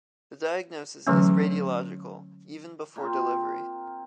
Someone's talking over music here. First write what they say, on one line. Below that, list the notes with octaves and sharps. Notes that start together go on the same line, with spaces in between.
The diagnosis is radiological, even before delivery.
D3 E3 F#3 A3 C#4
A#2 A#3 C4